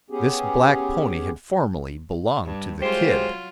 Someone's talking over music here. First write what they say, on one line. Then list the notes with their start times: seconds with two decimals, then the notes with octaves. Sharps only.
This black pony had formerly belonged to the "Kid."
0.10 B3 C#4 G4 G#4
2.45 G2
2.82 F#3 G#3 F4 G4 C5